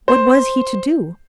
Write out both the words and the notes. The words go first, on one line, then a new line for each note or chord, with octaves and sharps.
What was he to do?
C5